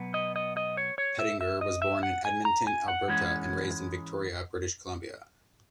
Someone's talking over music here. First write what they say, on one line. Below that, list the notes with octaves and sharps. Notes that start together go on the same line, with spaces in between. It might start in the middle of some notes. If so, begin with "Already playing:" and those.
Pettinger was born in Edmonton, Alberta and raised in Victoria, British Columbia.
Already playing: B2 F#3 B3
D#5
D#5
D#5
C#5
C#5
E5
E5
D#5
E5
F#5
G#5
A#5
G#5
F#5
G#2 E3 G#3 C#4